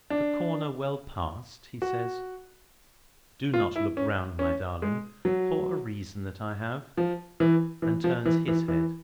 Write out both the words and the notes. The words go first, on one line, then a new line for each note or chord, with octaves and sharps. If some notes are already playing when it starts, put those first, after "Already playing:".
The corner well passed, he says: "Do not look round, my darling, for a reason that I have," and turns his head.
D4
F#4
F4
E4
C#4
C#4
G#3
F#3
F3
E3
E3
F3
E3
E3
E3